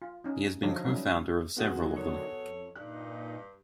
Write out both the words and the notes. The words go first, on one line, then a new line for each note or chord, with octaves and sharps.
He has been cofounder of several of them.
F4
C#4 D#4
D3 F3 D#4 F#4 A4 C#5
F#3 G3 A3 C#4 D#4 E4
D3 D#3 F#3 B3 F#4 G#4
A4 C#5
F2
G2 A#2 D#4 F#6